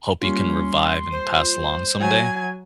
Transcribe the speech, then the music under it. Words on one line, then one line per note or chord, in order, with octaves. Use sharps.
hope you can revive and pass along someday?
G3 A#3 C#4 F4 C6
C5
F#3 G#5 G#6